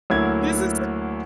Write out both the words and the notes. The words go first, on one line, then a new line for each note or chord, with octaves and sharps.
This is
D2 F#3 A#3 E4 G#6